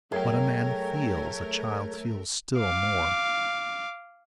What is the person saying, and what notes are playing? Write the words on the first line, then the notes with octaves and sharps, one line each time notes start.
What a man feels a child feels still more.
F#2 A3 G#4 A#4 C#5 G5
F5 D6